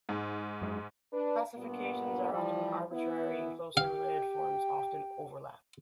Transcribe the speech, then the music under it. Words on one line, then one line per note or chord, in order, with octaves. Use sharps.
Classifications are often arbitrary, and closely related forms often overlap.
G#2
F#2 G#3
D4 B4
G2 A#2 B3
E3 F3 G3
E3 B3 E4
G4 F5 G5